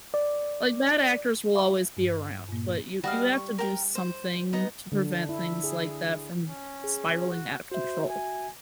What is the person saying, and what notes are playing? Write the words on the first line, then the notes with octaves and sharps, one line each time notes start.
Like, bad actors will always be around, but you you have to do something to prevent things like that from spiraling out of control,
D5
E5 F5 G#5 B5 C#6 D6
G2
G2 A#2 A#3
G3 F#4 D#5 F5
C#6
A#4 G5
C5
B3 D#4 D#5
D3
E4
G#4
C#4
G#4
F#4
F#4 C5 E5
G#5